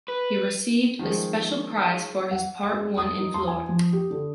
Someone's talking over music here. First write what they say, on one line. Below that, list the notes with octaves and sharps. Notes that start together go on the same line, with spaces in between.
He received a special prize for his part won in Flohr.
B4
D#3 F3 G#3
F#5
G#3
D#6
D#4
C6
G#5
F3
G4
D3